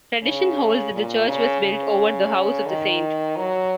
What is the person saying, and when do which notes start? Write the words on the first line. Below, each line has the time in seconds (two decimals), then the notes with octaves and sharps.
Tradition holds that the church was built over the house of the saint.
0.22 C#3
0.92 A#2
1.27 C#3
1.62 C#3
2.66 D#3
3.37 F#3